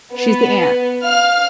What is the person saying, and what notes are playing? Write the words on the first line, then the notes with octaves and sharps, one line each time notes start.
She's the aunt.
B3
F5 F6